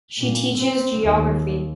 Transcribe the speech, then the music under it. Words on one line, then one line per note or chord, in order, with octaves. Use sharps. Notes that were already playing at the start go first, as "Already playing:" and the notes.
She teaches geography.
A#2
C4
D#2